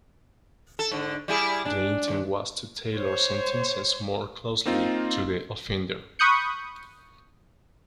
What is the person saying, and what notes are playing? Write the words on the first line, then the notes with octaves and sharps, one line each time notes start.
The intent was to tailor sentences more closely to the offender.
A4
G#2 D3
G3 E4 G#4
D4
D#2
C5 C#5
A#3 C4 D#4 F4
B5 C#6 D#6 F#6 G6 C#7